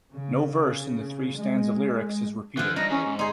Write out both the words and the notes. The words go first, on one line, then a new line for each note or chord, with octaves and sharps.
No verse in the three stanza lyrics is repeated.
C#3
G#3
D3 E3 F3 F#6
G2 D4 D#4 A#6
E3 C#4 G#4
G#2
D#4 G#4 C6